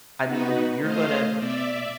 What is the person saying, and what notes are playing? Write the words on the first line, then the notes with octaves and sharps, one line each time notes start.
I mean you're gonna be
B3 D#4 F#4 B4
A3 C5 D#5 F5
D5 E5